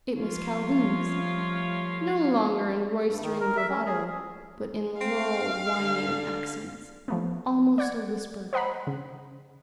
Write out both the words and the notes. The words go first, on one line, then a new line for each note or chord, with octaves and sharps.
It was Calhoun's--no longer in roistering bravado, but in low whining accents, almost a whisper.
F3 G3 A3 F4 C#5 F5
G2
D#3
A#4
E5
C#4
G#4
C4 F5
D3
F3 A3 B3
D5 F#5 G#6
C5 D#5 F#5 A#5 B5
C#3